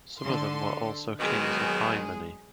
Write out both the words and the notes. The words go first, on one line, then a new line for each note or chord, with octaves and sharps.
Some of them were also Kings of Hy-Many.
D3 A4 C6
D#2 B2 D#3 F#3 G#3 G#4